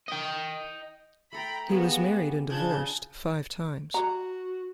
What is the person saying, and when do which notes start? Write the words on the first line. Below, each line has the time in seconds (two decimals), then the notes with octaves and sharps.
He was married and divorced five times.
0.08 D#5 G5
1.33 A3 A4 G5 A#5 B5
1.69 G3 A#3 B3 F#4 G#4
2.50 C#3 F3 D4 A5 B5 G6 G#6
3.94 F#4 A#5